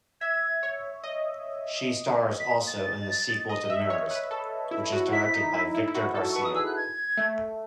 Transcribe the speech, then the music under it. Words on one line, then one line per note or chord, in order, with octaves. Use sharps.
She stars also in the sequel to "Mirrors", which is directed by Victor Garcia.
E5 G#6
C#5
D#5
B6
A6
D#5
D#5
E5
C#5
B4
A4
E4
F#4
E4 B6
D#4
E4
E4
E4
F#4
A4
B4 C#6
D#6
G#4 E6
F#6
G#6
A3